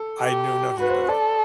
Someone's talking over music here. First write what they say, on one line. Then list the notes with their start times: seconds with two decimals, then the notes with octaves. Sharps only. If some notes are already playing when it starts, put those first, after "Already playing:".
I know nothing about it.
Already playing: A4
0.21 G4
0.80 F#4 B4
0.90 C5
0.99 B4
1.08 A4 D5